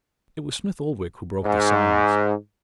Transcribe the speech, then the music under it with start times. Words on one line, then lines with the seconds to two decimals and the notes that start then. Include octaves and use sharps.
It was Smith-Oldwick who broke the silence.
1.44 G#2